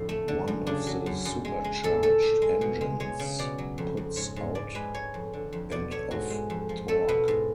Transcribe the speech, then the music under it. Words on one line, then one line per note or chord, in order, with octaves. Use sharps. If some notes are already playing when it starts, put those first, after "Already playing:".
One of the supercharged engines puts out and of torque.
Already playing: F2 A2 D3
A3
D3
F#2
C#3 D4
F#3
F#2
F#2
G#3
G#3
A2 A4
A3 A4
A2
G#3
B2
G#3
G#3 C#5
C#3
B2 D5
F#3
F2
F2
G#2 C#5
G#2
G#2 D5
G#3 B4
G#3 C#5
F2
D3
F2
B2 D5
A3 C#5
G#2 F#4
G#3
F2
F3
A3 A4
B2 B4
G#2